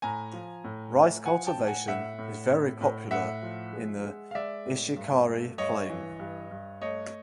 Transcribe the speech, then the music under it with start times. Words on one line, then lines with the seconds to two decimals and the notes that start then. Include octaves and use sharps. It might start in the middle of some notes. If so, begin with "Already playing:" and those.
Rice cultivation is very popular in the Ishikari Plain.
0.02 A2 G#5 A#5
0.33 F3
0.64 A2
0.95 A2
1.26 F3 F#5 G#5
1.47 G5 A5
1.57 A2
1.67 F#5 G#5
1.88 A2 E5 F#5
2.18 A2
2.50 A2
2.81 A2
3.11 A2 E5 F#5
3.42 F3
3.73 G#3
4.04 G#3
4.31 F5
4.35 G#3 D5 E5
4.66 A2
4.96 G2
5.27 A3
5.58 G2 C#5 D#5
5.90 E3
6.19 G2
6.51 G2
6.82 A3 C#5 D#5